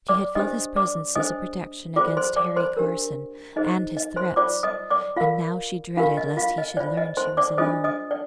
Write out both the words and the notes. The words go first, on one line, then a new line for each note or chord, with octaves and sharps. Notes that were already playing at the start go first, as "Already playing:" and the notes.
She had felt his presence as a protection against Harry Carson and his threats; and now she dreaded lest he should learn she was alone.
D5 D6
D4 G4 C5 D#5 D#6
D5 D6
D4 G#4 C5 D#5 D#6
F4 G#4 C5 D5 D6
C5 C6
D5 D6
C5 C6
D4 G4 A#4
D#4 G#4 C5 D#5
D#5
C5 C6
F4 C5 D5 D6
D#5 D#6
D5 D6
F4 A#4 F5
D4 F4 G4 A#4 F5
D#5
F4 F5
D#5
F4 C5 D5
D#5
C5 C6
D5 D6
D4 F4 G#4 C5 D#5 D#6
D#5 D#6
D5